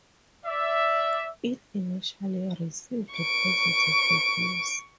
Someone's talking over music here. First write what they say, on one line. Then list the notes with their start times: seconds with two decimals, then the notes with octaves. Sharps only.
It initially received positive reviews.
0.46 D5 E5
3.13 C#6 D7